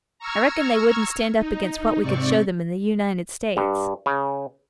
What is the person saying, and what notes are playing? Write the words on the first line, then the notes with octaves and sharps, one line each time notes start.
I reckon they wouldn't stand up against what we could show them in the U-nited States.
A#5 C#6 E6 F6 G#6
D#4
G#2 C3 C4 D5 C#6
G2
C#3